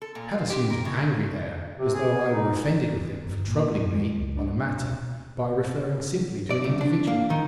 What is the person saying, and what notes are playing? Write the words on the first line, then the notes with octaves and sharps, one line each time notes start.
I had assumed an angry air, as though I were offended with him, for troubling me on a matter by referring simply to an individual.
A4
A#2
F4
G4
A#4
C#3
C3
G#4
D#4
G1
A#2
F#2
G#3
C#2
D4
B2
D5
C2
D4
A#3
D#3